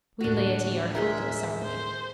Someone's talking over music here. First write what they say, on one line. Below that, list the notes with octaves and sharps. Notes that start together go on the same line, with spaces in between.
'We laity are hopeless, aren't we?
D2 A2 D4 F#4
A2 G#3 G#4 A#4 E5
C5